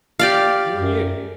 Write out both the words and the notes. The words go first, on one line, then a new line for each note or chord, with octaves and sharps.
"Who are you?"
G4 D5 F5
F#2